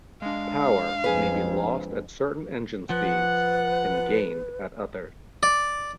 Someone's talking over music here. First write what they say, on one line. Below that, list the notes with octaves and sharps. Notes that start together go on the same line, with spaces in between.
Power may be lost at certain engine speeds and gained at others.
G#3 D4 F5
F2 G#4 B4
F3 B4 F#5
D5